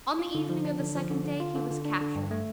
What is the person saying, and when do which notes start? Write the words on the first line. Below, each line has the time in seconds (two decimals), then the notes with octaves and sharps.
On the evening of the second day he was captured.
0.19 F4
0.35 D3
0.49 F3
0.65 D4
0.80 D3
0.95 F3
1.10 D3
1.25 D3
1.40 F4
1.55 D3
1.70 D3
1.85 D4
2.01 D3
2.16 G2
2.31 A3